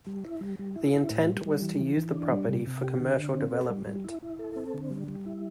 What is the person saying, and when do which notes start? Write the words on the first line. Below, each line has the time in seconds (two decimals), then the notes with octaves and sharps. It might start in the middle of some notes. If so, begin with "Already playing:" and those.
The intent was to use the property for commercial development.
0.07 G3
0.25 E4
0.41 G3
0.59 G3
0.75 E4
0.94 E4
1.10 A2
1.28 G3
1.45 G3
1.62 E3
1.80 E3
1.97 E3
2.14 D4
2.32 G3
2.49 C3
2.67 C3
2.84 G4
3.00 D3
3.18 D3
3.35 C4
3.53 A4
3.70 G3
3.87 G3
4.04 E4
4.22 E4
4.39 A4
4.56 C4
4.74 D3
4.91 G3
5.08 G3
5.26 E4